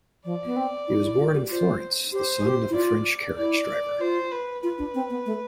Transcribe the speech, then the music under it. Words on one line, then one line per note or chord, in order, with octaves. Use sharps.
He was born in Florence, the son of a French carriage driver.
F3 D5
B3
C4
E4
E4
F4
G4
F4 C5
G4 C5
G4
E4
F4 D5
E4 D5
F4 C5
B4
F4 B4
D4
C4
B3
A3